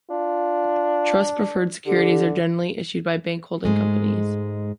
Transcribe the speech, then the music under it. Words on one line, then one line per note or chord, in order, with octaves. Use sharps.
Trust-preferred securities are generally issued by bank holding companies.
D4 F4
D3 G4
G#2 G#3 A3